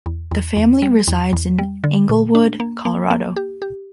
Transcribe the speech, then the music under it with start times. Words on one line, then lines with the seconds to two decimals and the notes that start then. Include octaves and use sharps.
The family resides in Englewood, Colorado.
0.06 E2
0.31 E2
0.57 E2
0.82 G3
1.08 E2
1.33 E2
1.58 G3
1.84 D3
2.09 A#2
2.35 D4
2.60 A#3
2.85 A#3
3.11 A#3
3.36 G4
3.62 G4